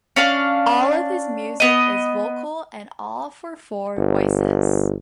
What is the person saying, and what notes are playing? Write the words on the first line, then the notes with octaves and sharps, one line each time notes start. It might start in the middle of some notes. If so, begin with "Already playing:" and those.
All of his music is vocal, and all for four voices.
C#4 D4 F5
B3 D#5
G1